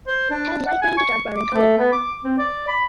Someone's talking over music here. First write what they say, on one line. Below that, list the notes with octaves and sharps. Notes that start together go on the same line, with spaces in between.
Head light brown to dark brown in color.
C5
D4
F#5
G#5
C#6
D6
A3
B3
D6
C4
D5
B5